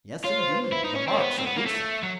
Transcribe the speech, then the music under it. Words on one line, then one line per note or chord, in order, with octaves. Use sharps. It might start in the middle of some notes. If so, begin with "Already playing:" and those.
"Yes, indeed, the marks are recent."
F4 C#5
C5
B4
C5
E4
D#4
C#4
C4
C#5
A#3
B3 C5
C4
B3
A#3
A3
F#3